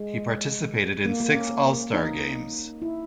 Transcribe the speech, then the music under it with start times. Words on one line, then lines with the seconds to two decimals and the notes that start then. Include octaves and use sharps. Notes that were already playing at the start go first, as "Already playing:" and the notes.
He participated in six All-Star games.
Already playing: G#3
1.05 A#3
1.20 A#3
1.34 C#4
1.94 D#4
2.82 E4